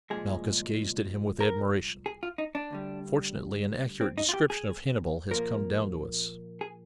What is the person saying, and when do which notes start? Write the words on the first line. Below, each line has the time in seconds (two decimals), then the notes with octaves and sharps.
Malchus gazed at him with admiration. Fortunately an accurate description of Hannibal has come down to us.
0.10 C2 A#2 F3 G#3 G#4
1.41 A#4
2.06 G#4
2.23 F4
2.38 D#4
2.55 D4
2.71 D2 D3 G3
4.01 C4
4.18 D#4
4.29 F4
4.33 G4
4.50 G#4
5.31 A#2 F3 A#3 A#4
6.61 G#4